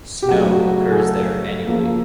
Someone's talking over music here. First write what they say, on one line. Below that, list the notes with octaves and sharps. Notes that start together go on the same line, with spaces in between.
Snow occurs there annually.
G4
C#3 F#3 A3 F#4
G#4
A4
C#3 F3 A#3